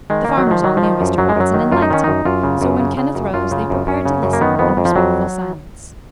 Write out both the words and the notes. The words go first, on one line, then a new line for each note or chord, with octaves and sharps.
The farmers all knew Mr. Watson, and liked him; so when Kenneth rose they prepared to listen in respectful silence.
D#3 G#3
D#3 A#3
F#3
D#3 F3
D#3 F#3
F3
D#3
F#2
F#2 F#3
G#3
F#2 F#3
D#3
F#2 F4
D#4
D#3 C#4
F#2 D#4
F#2 F4
C#3
F#2
C#3
C#3
F#2
F#2 F4
C#3
F#2
F#2 C#4
C#3
F#2
A#3
D#3 B3
F2 B3
F2
F3
F2 F#3